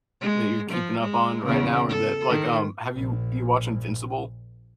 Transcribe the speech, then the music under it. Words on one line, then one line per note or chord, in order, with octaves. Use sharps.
that you're keeping up on right now or that like, um have you do you watch Invincible?
G#3
F3
G#3
E2 C#3
A4
D#3
A#1 A#2